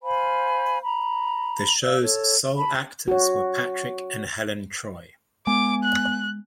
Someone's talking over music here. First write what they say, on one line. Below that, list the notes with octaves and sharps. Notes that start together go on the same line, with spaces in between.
The show's sole actors were Patrick and Helen Troy.
C5 F5 G#5 B5
A#5 B5
D5 F5 E6
A4 C#5
A5 B5
F#4 C#5
G#3 B3 G#5 D6
F#6